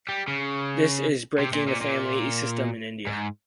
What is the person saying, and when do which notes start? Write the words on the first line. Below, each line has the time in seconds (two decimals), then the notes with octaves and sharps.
This is breaking the family system in India.
0.09 G3
0.28 C#3
1.39 C3
1.54 A#2
1.68 A#2
1.81 A#2
3.07 G#2